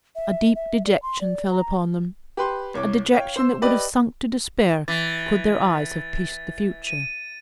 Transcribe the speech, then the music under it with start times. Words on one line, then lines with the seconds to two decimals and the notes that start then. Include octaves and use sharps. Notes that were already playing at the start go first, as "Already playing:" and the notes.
A deep dejection fell upon them,--a dejection that would have sunk to despair could their eyes have pierced the future.
0.15 E5
0.55 E5
0.86 D5
1.02 C6
1.21 D5
1.50 A#5
2.37 G4 B4 C6
2.74 C2 C#5 D6
3.13 C#5 F5 G5
3.36 C5 C6 E6
3.62 G4 B4 D5 D#5
4.88 E3 A6
6.87 D#7